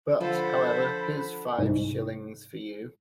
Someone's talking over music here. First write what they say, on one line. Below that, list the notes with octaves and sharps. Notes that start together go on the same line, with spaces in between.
But, however, here's five shillings for you.
D3 F3 A4 C5 B5
C2 G#2